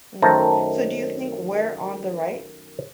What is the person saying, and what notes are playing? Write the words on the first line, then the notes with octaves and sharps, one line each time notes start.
Mm. So, do you think we're on the right?
F#2 D#3 A3 C5 A5 A#5